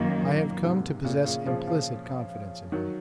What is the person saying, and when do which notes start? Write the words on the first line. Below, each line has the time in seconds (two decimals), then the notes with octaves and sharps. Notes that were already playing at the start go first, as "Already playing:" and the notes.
I have come to possess implicit confidence in him.
Already playing: F#2 D#3 A#3
0.21 A#2
0.63 G#2 C3
1.05 A#2 C#3
1.25 A#2 C#3
1.46 C#3 F3
1.67 C#3 F3
2.72 D#3 F#3